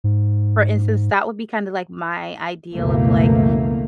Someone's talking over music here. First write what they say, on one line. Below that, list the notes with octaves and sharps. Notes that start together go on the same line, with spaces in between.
for instance, that would be kinda, like, my ideal of, like,
G#2
C#2 F#2 B2 E3 A3 A#3